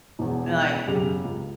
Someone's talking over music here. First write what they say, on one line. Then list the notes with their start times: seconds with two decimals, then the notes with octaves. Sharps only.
and like
0.19 E1 E2
0.87 E1 F#2 C#3 G4 F7
1.24 C#2